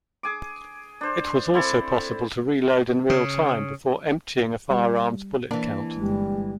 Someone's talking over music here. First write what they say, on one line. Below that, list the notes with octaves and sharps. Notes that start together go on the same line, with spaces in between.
It was also possible to reload in real-time before emptying a firearm's bullet count.
G#4 G#5 D6
D4 C5
C4 E4 A4
C#3
G3
E3 A#3 D4
G1 G3 G#3